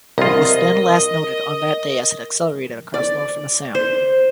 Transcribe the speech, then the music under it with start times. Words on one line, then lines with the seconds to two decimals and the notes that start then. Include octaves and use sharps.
It was then last noted on that day as it accelerated across northern Assam.
0.18 C2 F4 A#4 D#5
2.94 D5
3.75 C5